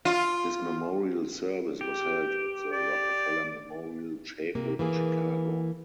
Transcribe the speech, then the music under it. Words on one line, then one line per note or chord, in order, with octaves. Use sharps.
His memorial service was held at the Rockefeller Memorial Chapel in Chicago.
F4
G4
D5
C3 A#3
E3 A#3 G#4